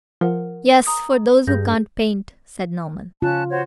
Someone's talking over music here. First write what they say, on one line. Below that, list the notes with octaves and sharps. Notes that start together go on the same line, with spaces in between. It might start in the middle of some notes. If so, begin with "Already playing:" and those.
"Yes, for those who can't paint," said Naumann.
F3 A#4 F#5
A#5 D#6
G2 G#4 G6 A#6
C#3 C#4 F4 A5 F#6
F#4 C5 C#5